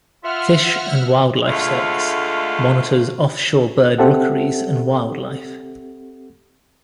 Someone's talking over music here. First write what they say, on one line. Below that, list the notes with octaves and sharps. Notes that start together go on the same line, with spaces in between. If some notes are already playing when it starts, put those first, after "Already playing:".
Fish and Wildlife Service monitors offshore bird rookeries and wildlife.
F4 E5 F#5 F6
D2 D3 G#3 A3 F4 F5
C4 G4 A4 E5 F#5